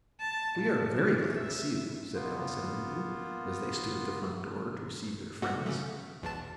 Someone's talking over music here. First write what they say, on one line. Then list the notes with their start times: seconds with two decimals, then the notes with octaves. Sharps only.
"We are very glad to see you," said Alice and Lulu, as they stood at the front door to receive their friends.
0.20 A5
0.58 A#2
0.93 E3
1.33 E5
2.14 A#3 B3 F4
5.42 B2 A3 F#4
5.66 C#3 A3
6.22 B1 E2 A5